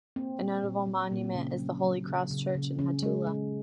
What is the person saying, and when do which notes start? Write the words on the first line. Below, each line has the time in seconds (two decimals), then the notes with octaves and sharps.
A notable monument is the Holy Cross Church in Hattula.
0.16 A#3 C4
0.39 A#2 C4
0.64 A#2
0.88 F#3
1.12 A#2 A#3
1.24 C4
1.35 A#2 C#3 C#4
1.59 F#3
1.83 F#3
2.08 C#3
2.31 C#3
2.55 C#3
2.79 C#3 C#4
3.03 G#3
3.27 G#3